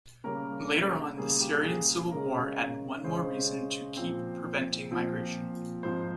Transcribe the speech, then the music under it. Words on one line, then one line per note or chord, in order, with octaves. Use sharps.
Later on the Syrian Civil War added one more reason to keep preventing migration.
C#3 G3 A#3 C#4 A#4
C#3 G3 A#3 C#4 G#4
G4
G#4
G#4
C#3 G#3 C#4 A#4
C#3 G#3 C#4 C5
A#2 F3 C4
A#2 F3 C4
G#2 F3 C4 C5